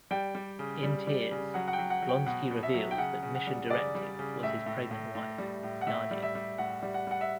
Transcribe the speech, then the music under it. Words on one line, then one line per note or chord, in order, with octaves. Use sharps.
In tears, Blonsky reveals that Mission Directive was his pregnant wife, Nadia.
G3 G5
G3
C#3
G3
G3
C#3
F#3 F#5
F#5
G5
F#3
F#5
F#3
G5
B2 F#5
B2
E5
F#3
G5
C#3 F#5
C#3
F#5
G3
C#3 D5
G3
C#3
A2 E5
A2
A2
A2
G3
A2
F#5
A2 E5
G3
E5
G3
A2 F#5
G3
F#5
G3 F#5
E5